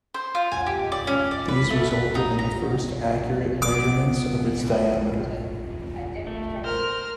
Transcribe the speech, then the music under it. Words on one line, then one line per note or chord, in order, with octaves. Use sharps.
These resulted in the first accurate measurements of its diameter.
C5
F4
G#5
G4
D5
C#4
D5
B4
A3
B4
D#4
A#5
B3 D6
A3
A#4 C5 F6